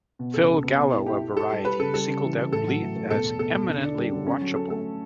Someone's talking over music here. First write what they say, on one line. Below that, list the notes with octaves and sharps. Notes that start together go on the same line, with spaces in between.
Phil Gallo of "Variety" singled out Bleeth as "eminently watchable".
B2
C#2 A4
C#2
B3
B2
E4
E4 G4
E4
G4 A4
G3
G4 B4
C#3 A4
G3 A4
C#3
E3
E3
A2 A4
F#3
A2
A2
B2 A4
E2
B2 A4
E2
D3
D4
G3
D3
C#4
F#3
C#4 A4
A3 A4